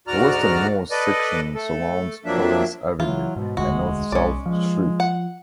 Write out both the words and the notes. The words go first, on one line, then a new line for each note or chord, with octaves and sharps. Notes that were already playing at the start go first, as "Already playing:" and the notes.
The westernmost section surrounds Torrence Avenue, a north-south street.
D2 G#2 F#4 D5 A#5 F6
A4 B4 D5 D#5
A3 A4
F2 F3 F#3 A#3 D4 E5
E3 F#3 F4
G#2 B2
E1 D2 G#3 F#4
B1 C#4 D5
F3 G#3
F#5